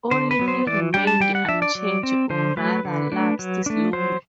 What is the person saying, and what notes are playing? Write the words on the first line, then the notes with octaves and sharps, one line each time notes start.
Only he remained unchanged, or rather, lapsed slowly.
D3 C5
B4
F#3 B3
C5
E3 D5
G3 D4 G5
A5
G3 G5
F#5
D4 E5
D5
F#3
C4
D3 C5
F#3 A3 B4
D3
A3 D4
F#3
A3 D4
F#3 C5